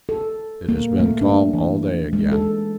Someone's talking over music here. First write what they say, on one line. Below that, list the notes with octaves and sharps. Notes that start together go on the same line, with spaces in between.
It has been calm all day again.
A4
A#3
A3
D4
E3
G#3
A4